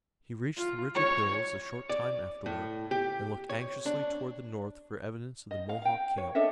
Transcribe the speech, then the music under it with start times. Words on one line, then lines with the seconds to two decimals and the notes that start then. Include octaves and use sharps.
He reached the ridge of hills a short time afterward, and looked anxiously toward the north for evidence of the Mohawk camp.
0.58 F4
0.95 C#5
1.89 D5
2.46 A2
2.91 G4
3.49 C#5
3.86 D4
5.51 D#5
5.69 F5
5.82 F5 G5
6.18 C#5
6.35 D4 A4 D#5 E5